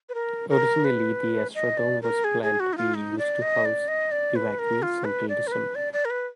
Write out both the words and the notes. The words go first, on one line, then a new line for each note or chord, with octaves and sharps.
Originally, the Astrodome was planned to be used to house evacuees until December.
B4
A#4
A#4
B4
D#5
D5
A#4
G#4
G#4
F#4
D#4
F4
D#4
D5
D#5
D5
D#5
D5
B4
A#4
F4
B4
D5
A#4
B4
D5
D5
A#4
B4